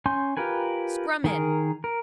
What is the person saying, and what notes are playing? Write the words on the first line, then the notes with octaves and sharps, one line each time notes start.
Scrum in.
C#4 G#5 C6 G6
F4 G4 A#4 B4 G#5
D#3 G#4 A#4
A#4